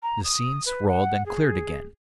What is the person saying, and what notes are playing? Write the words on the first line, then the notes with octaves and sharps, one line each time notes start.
The scene swirled and cleared again.
A#5
D#6
B4
F#5
G#4